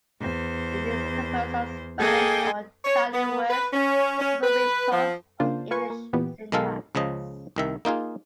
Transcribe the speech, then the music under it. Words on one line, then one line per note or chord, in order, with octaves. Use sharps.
It is composed of Spanish or Italian words superimposed on English syntax.
E2 C5
A#3 G#4 A4 D#5 G5 G#5
C#5
B3
B4
C#4
C#4
B4
F3
C#3 A#3 D4 F4 C5
F4 B4 G#5 C#6
A#3
A#2 E3 B3 G4
B1 D#3 G#3 A4 F5
C#2 C#3 F3 D#5
C2 D#3 E5
A#3 D#4 F4 G#4